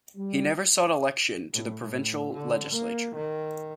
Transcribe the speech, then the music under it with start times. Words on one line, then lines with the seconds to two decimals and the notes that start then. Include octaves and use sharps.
He never sought election to the provincial legislature.
0.16 G3
1.53 A2
1.82 A2
2.33 D3
2.71 A#3
3.15 D#3